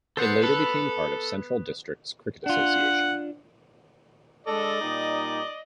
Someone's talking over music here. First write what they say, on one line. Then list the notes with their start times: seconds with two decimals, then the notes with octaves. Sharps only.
It later became part of Central Districts Cricket Association.
0.17 B3 A4 B4 C5 F#5
0.43 A4 B5 F#6
2.46 D4 F4 F#5
4.47 G#3 D4 A4 D5 D#5
4.82 A#2 G3 D#4